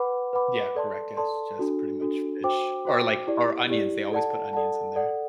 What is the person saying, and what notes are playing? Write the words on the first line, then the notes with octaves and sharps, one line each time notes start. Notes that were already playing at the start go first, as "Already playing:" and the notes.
Yeah, correct, that's just pretty much fish. Or, like, or onions, they always put onions in there.
Already playing: B4 F#5 B5 D6
B4 F#5 B5 D6
A4 D5 A5 C6
A4 D5 A5 C6
D4 F#4 A4
D4 F#4 A4
F#4 C5 G5 D6
F#4 C5 G5 D6
E4 G4 D5
E4 G4 D5
A4 D5 F#5 A5
A4 D5 F#5 A5
A4 D5 F#5